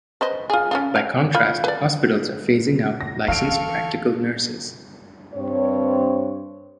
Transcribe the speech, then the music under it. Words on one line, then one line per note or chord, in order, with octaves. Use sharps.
By contrast hospitals are phasing out licensed practical nurses.
B4 C5 D#5
F4 G#4
C#4 D#4 F4
F5
F4 B5
B4 D5
A#6
E3 A4 F5 C#6 F6 D7
G2 C4 C#5